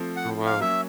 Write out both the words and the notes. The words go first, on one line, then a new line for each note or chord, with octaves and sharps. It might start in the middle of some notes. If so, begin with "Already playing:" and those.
Oh, wow.
Already playing: F3 A3 C4
F#5
F5
F#3 A#3 C#4 E5